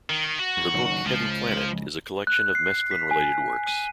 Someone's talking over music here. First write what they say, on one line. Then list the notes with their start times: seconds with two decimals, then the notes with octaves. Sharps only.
The book "Heavy Planet" is a collection of Mesklin-related works.
0.10 D#3
0.39 F#4
0.57 E2
0.74 F#1 D#3
1.06 C#2 F3
2.27 F#6
2.55 C7
2.91 B6
3.11 G#5
3.67 D#7